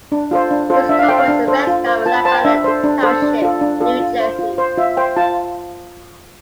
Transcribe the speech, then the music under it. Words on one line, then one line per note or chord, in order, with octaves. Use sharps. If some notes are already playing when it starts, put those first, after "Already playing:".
Piscopo is a resident of Lebanon Township, New Jersey.
D4
F4 A4 C5
D4
F4 A4 C5
D4 E5
F5
A4 C5 G5
F5
D4
A4 C5
F4
C5
F4 A5
B5
C5 A5
G5
D4 E5
A4 C5
D4
A4 C5
D4
F4 A4
D4
F4 A4
F4
C5
F4
C5
F4 E5
C5 G5
F4 A5